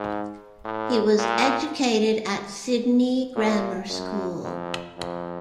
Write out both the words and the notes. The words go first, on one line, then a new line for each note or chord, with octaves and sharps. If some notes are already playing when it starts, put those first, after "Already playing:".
He was educated at Sydney Grammar School.
Already playing: G#2
A2
A#2
A#2
F#2
F2
F2